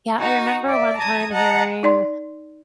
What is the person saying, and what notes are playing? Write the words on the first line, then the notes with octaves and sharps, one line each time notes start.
Yeah, I remember one time hearing,
D#4 F#4
D5 E5
A5 A#5 D#6 G#6
D#5 F#5 A5 A#5
D#4 D5 C6